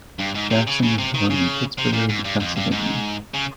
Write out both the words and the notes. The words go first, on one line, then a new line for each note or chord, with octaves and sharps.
Jackson was born in Pittsburgh, Pennsylvania.
G2
G#2
C3
C#3
C#3
C3
D#3
C#3
C3
A#2
G#2
G2
F2
G2
G#2
C#3